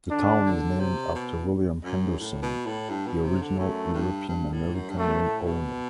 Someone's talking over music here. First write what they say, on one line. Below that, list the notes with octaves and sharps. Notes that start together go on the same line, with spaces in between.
The town is named after William Henderson, the original European-American land owner.
D3 D4
D3
C3
B2
F#2
A2
B2
A2
G2
B2
C3
D3
F#2 A3
G2
G2
A2
F#2
G2
F#2 A3
A2
B2